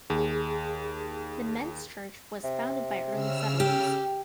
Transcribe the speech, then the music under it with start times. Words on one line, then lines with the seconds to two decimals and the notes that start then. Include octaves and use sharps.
The Mentz Church was founded by early settlers.
0.10 D#2 G#4
2.44 C3
3.11 C#3 E6 F6
3.60 G4